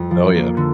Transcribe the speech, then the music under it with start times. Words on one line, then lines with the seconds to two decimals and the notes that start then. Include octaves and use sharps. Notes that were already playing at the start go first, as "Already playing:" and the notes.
Oh, yeah.
Already playing: F2
0.11 F3
0.35 A#3
0.57 D3